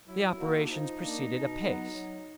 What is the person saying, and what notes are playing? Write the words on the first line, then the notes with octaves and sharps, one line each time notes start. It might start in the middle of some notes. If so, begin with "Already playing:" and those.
The operation proceeded apace.
F#3 E4
A#3 D#4 F#4
D4
F3 D#4
A#3 D4
B2
F#3 B3
F#3